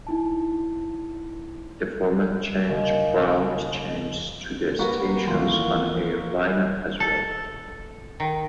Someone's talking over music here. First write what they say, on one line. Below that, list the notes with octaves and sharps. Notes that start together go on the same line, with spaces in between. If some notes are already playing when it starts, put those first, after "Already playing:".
The format change brought changes to the station's on-air lineup as well.
D#4 E4 A5
D#2 C#3
G3 A#3 F#4 A#4 B4
D#2 E3 A#3 F4 A#5 C6 D6
A4
D#3